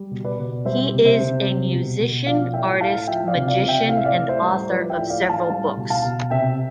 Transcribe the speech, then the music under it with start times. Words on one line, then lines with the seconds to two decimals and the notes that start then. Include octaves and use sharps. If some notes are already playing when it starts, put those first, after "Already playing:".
He is a musician, artist, magician and author of several books.
Already playing: G3
0.11 B2
0.24 B4 D5
0.39 B2
0.65 G3 C5 E5
0.93 C3
1.05 C5 E5
1.19 C3
1.46 G3
1.73 B2
2.00 B2
2.26 F3 D5 F5
2.53 A2 E5 G5
2.81 A2 F5 A5
3.07 F3 E5 G5
3.28 D5 F5
3.34 C3
3.48 D5 F5
3.62 C3
3.68 E5 G5
3.89 A2 F5
3.97 E5
4.05 D5 F5
4.16 A2
4.29 C5 E5
4.42 G3
4.69 F3 B4 D5
4.90 E5 G5
4.96 A2
5.09 D5 F5
5.23 A2
5.29 F5 A5
5.50 G3 F5 A5
5.77 B2
5.90 F5 A5
6.04 B2
6.30 C3 E5 G5